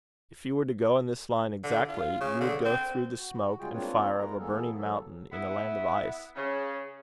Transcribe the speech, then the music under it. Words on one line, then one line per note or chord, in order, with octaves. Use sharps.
If you were to go in this line exactly, you would go through the smoke and fire of a burning mountain in a land of ice.
D3
F4
C#3
D3
C4
F#4
C#3 G3 G#3 F4 G#4 G5
A#3 C4 D4 F4 B4 C#5
G3 G#3 A#4 A#5
E3 A#3 B3 G#4 A4
F#3 A4
B3 E4
C#3